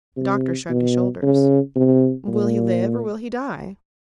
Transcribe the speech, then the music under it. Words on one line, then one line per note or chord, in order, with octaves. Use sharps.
The doctor shrugged his shoulders. "Will he live or will he die?"
C3
B2
C#3
C3
A#2